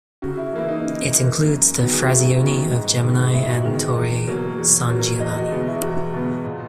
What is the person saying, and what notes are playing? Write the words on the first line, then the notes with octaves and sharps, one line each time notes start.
It includes the "frazioni" of Gemini and Torre San Giovanni.
C#3 F#4
E4
E3 A#3 E4
D#4
C#3
E3 A#3
F#2
D#3 F#3 B3
G#4
F#4
F#2 E4
D#3 F#3 B3
G#2
D#3 G#3 B3
G#2 E4
F#4
D#3 G#3 B3 G#4
E2
B2 F#3 A#3
E2
B2 F#3 A#3
E2 D#5
F#4
B2 G#3 B3 F#4
E4
E2 F#4
B2 G#3 B3
A#2